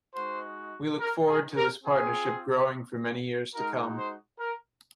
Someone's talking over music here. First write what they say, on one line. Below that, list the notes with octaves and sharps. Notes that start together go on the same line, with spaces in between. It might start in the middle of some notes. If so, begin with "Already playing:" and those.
We look forward to this partnership growing for many years to come.
G#3 D#4 F#4 C5
A#4
G#4
A#4
C4 F4 G#4
G#3 D#4 F#4 A#4
C5
A#4